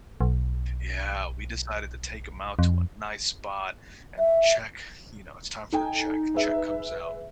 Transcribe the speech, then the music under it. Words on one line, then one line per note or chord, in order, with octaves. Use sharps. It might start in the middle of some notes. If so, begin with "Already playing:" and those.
Yeah, we decided to take him out to a nice spot and check you know, it's time for the check. Check comes out
B1
F2
E5
D#4 A4 G5 G#5
G#4 B4 E5